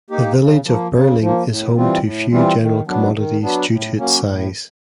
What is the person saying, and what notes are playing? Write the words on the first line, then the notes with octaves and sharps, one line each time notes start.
The village of Birling is home to few general commodities due to its size.
A#3 D#4 G4
C#3
F3 A#3
C#3
F3 A#3
A2
E3 G3 C4 F4
A2
E3 G3 C4 F4
D#3
F#3 B3 D4
D#3
F#3 B3 D4
A2
F#3 A#3 C#4
A2